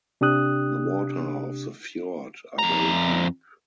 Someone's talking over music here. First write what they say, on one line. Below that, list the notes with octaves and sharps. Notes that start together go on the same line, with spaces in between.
The waters of the fjord are very deep.
C3 D4 G4 D#6 F#6
F2 A#5